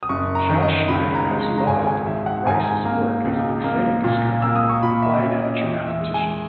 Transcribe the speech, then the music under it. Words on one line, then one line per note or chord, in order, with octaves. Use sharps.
Schattschneider has lauded Rice's work as an exciting discovery by an amateur mathematician.
D#6
F#1 C#6
A#5
D#3
D#5
C#2 B5
A#5
G#3
A#5
A#5
G#1 G#5
G#5
D#3 E5
F#5
G#2 G#5
A#5
G#5
A#3 A#5
C#2
A#3
A#2
A#3 E6
D#6
C#6
A#2 B5
E5
D#5
C#4 E5
D#5
E2 D#5
E5
G#3
G#5